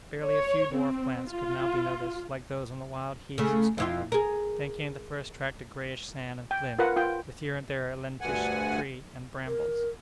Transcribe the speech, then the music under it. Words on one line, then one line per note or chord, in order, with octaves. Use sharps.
Barely a few dwarf plants could now be noticed, like those on the wild heaths of Scotland; then came the first tract of grayish sand and flint, with here and there a lentisk tree and brambles.
C#5
C4
F4
C#3 A3
F2 E4 F4
G#4 A#4
G5
F4 A#4 B4 F#5
F4 G5
D2 G2 F#5 G#5
A#4